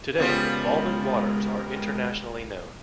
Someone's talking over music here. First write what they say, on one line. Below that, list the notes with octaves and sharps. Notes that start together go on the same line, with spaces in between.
Today, Volvic waters are internationally known.
C#3 F3 G3 G#3 B3 F4 A#4